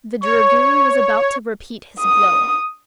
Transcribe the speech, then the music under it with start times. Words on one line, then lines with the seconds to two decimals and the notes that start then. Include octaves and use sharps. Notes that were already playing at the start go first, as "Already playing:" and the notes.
The dragoon was about to repeat his blow.
0.23 C#5 C#6
2.00 D#6